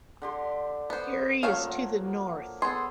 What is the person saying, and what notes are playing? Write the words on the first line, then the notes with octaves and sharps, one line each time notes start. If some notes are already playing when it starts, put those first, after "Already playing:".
Erie is to the north.
D3 G4 C6
B3 C5
F3 F#3 A3 A#3 C#4 F5
B3 G#4 A4 C6